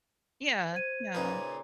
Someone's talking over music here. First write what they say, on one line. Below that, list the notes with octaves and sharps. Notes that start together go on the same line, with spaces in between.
Yeah, yeah.
C5 G#6 D#7
A#2 C#3 D#4 B4